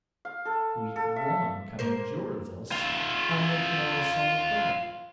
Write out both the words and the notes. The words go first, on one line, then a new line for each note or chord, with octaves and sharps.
If weak woman can endure thus, how much more a Son of God?
F5
A4
A4
E5
A#3 A#4 C5
F4 E5